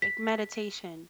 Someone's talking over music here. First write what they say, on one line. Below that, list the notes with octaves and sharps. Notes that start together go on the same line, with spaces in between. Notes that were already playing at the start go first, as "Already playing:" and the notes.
Like meditation.
B6